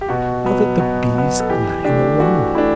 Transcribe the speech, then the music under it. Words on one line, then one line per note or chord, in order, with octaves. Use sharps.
So that the bees let him alone!
G4
B2 F#4
F#3 B3
B2
F#3 B3
A4
E3 G4
A3 D4 G4
E3 F#4
A3 D4 E4